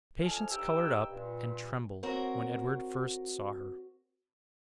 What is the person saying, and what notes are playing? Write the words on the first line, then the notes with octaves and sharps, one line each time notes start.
Patience colored up and trembled when Edward first saw her.
F2 F3 A4 G#5 F6
G2 D#4 G4 G5 E6
G2 A#2
C4 F#4 A#4 C#5